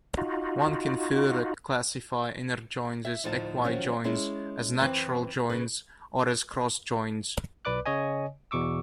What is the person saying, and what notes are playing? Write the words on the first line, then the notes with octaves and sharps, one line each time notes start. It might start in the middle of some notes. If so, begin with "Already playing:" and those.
One can further classify inner joins as equi-joins, as natural joins, or as cross-joins.
D#4 F4 F#4
E5
D2 A2 F3 D#4 A5
D#3 F3 F#3 C#4
G#3 C#4 E4
F#2 E3 C4 B4
C#3 B4
B1 B4 D5 D6 F#6
C#3 C#5 D#5 G#5
E2 B2 C#6 D6 E6